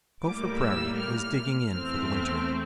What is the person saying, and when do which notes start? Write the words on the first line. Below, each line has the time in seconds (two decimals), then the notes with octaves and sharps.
GOPHER PRAIRIE was digging in for the winter.
0.24 A2 G3 A#3 D6
0.61 E6
0.97 F6
1.70 E2 E3 A3 C4 F6